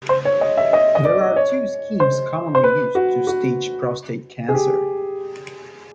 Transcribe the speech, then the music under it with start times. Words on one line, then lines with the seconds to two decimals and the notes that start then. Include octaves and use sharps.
There are two schemes commonly used to stage prostate cancer.
0.09 C5
0.25 C#5
0.41 D#5
0.57 E5
0.73 D#5
0.95 D#5
1.05 D5
1.36 C#5
2.00 C5
2.55 C5
2.64 B4
2.95 F#4
3.27 F#4
4.49 G#4
4.54 G4